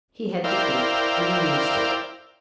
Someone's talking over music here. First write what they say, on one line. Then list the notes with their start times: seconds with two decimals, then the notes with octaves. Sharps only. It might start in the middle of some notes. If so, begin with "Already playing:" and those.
He had the gift and used it.
0.44 E4 A#4 C5 D5 F5 G5